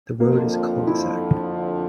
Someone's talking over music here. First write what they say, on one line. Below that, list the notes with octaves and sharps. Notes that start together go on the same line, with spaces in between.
The road is a cul-de-sac.
F2 D3 F3 A#3
E4